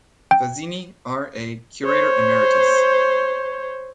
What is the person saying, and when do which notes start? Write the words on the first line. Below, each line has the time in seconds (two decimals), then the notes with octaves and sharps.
Fazzini, R. A., curator emeritus.
0.31 G5
1.85 C5 C#5